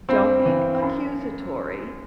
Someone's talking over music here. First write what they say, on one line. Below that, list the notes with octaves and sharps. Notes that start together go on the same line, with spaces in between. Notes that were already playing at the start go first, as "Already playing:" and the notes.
don't be c accusatory,
G2 C4
E3
F#2